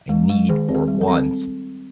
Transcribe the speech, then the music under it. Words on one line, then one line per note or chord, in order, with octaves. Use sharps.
I need or want,
G#3
G#3
D#3 G#4
C4
G#4
G3
A4
C4